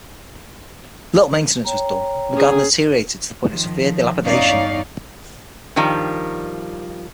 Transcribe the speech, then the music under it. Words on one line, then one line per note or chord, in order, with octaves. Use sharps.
Little maintenance was done and the garden deteriorated to the point of severe dilapidation.
C#5 G5 A#5
C#4 G#4
D#3 F3
E2 G2 C#4 D#4 D5 F5
G2 D#3 F3 G3